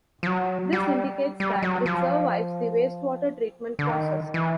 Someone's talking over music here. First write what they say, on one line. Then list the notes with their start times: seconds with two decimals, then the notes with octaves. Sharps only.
This indicates that it survives the wastewater treatment process.
0.23 F3
0.27 F#3
0.73 G3
1.40 G3
1.62 F#3
1.86 F3
3.79 D3
3.89 D#3
4.34 E3